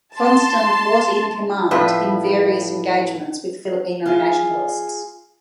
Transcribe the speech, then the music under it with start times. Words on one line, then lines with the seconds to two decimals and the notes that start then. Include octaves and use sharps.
Funston was in command in various engagements with Filipino nationalists.
0.16 A5 C6
1.71 A2 F3 B4
4.06 F4 G#4